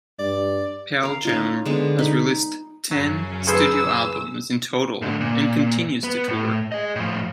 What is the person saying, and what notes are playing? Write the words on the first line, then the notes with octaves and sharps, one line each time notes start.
Pearl Jam has released ten studio albums in total and continues to tour.
G2 D5
A#4 F5
C#4 D#4 F4
D3 G#3 B3
D#4 B5
F#2 C#3 F#3 C#4
D#3 F3 G#4 B4 C5 E6
A2 D3
A#2
B3
A2
G#4 D#5
A2 F3